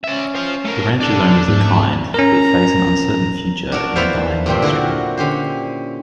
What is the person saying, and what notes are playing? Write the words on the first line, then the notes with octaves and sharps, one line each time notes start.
The ranch's owners are kind but face an uncertain future in a dying industry.
C#4 D5 E5
C5 F5
A3 A#4
D4 A4 D5
G#2 A3
C#4 A#4 A#5
D4 F#4 A4 A#4
A#3 E4 A4 B4 C5 F5
G2 A#2 G3 C4
D3 E4 F#4 A#4
D3 C#4 G4 C5